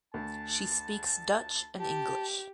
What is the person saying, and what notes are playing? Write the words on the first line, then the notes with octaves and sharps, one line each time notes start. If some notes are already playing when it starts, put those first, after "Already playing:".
She speaks Dutch and English.
D2 A5
G4 A5